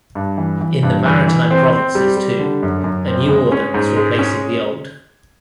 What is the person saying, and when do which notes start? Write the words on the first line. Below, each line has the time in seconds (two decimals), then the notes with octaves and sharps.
In the maritime provinces too a new order was replacing the old.
0.15 G2
0.38 E3
0.61 E3
0.83 G2
1.05 E3
1.28 E3
1.51 C4
1.73 C4
1.95 G3
2.17 G3
2.39 D3
2.63 F#2
2.84 F#2
3.07 C4
3.29 G#3
3.52 C#4
3.74 G#2
3.97 G#3
4.19 C#4